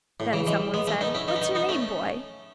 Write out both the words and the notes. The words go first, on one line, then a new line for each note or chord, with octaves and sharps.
Then someone said, "What's your name, boy?"
A2
C#3 E3
E3 G#3
G#3 B3
A3 C#4
B3 D#4
C#4 E4
B3 D#4
C#4
B3 D#4
B3 D#4
A3 C#4